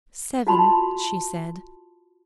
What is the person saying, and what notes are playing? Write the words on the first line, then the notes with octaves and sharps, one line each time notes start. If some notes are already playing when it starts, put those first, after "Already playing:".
"Seven," she said.
F4 F#4 A5 B5 C6